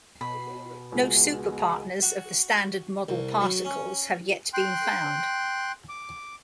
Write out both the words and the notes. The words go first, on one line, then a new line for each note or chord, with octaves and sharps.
No superpartners of the Standard Model particles have yet been found.
B2 B5
C#2 G#3 D#4 F#4
F#4
C2
F#3
C#4
G5 C6 F#6
D6